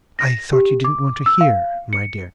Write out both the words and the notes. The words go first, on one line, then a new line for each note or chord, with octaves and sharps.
'I thought you didn't want to hear, my dear.
A#6
G4
D6
E6
F5
C#7